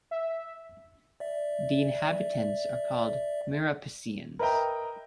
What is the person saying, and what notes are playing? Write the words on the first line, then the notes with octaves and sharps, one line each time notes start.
The inhabitants are called "Mirapiciens".
E5
D5 E5
A#4 B4 D#5 E5 G5 A#5